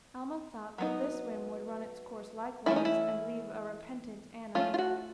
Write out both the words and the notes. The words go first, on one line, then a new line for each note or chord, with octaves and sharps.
Alma thought that this whim would run its course likewise and leave a repentant Anna.
F#3 B3 D#4
E3 A3 C#4 E4
D#4
E4
F3 A3 C#4 F4
F4
F#4